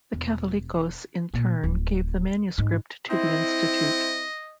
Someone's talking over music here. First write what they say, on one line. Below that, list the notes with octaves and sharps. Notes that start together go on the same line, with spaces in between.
The Catholicos in turn gave the manuscript to the institute.
E1
A#2
D1
G#2
C4 E4 D#5